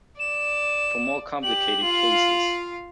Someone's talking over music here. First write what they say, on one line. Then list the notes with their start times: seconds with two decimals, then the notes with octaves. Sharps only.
For more complicated cases.
0.19 D5 E7
1.43 G4 F#7
1.83 F4 F5